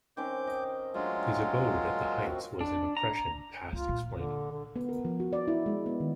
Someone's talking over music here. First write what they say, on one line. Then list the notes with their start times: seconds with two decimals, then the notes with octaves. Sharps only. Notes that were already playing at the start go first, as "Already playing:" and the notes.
His abode at the Heights was an oppression past explaining.
0.17 D#3 C4 C#4 D6 G6
0.47 D#5 G5
0.94 F#3 G#3 A3 D4 F4
1.58 A#2 A5
2.23 A3 C4 F#4
2.61 D4
2.97 A#5
3.73 C#2 F4
3.89 A#2
4.12 D3
4.52 D3
4.76 B3
4.89 A#4
5.05 F3
5.20 F#4
5.33 D5
5.48 E4
5.66 G#3
5.86 B3
6.00 D#3